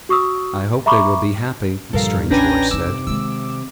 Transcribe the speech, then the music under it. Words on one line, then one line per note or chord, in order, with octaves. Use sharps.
"I hope they will be happy," a strange voice said.
F#4 C#6 D#6 E6
E5 A#5 B5 C#6 D6
G2 A#2 D3 F3 A4 A#4 F5
A1 C#4 D4 B4 G5 G#5 A#5 A#6
F#2 C3 D#4 D6 E6
D#3 G#3 E6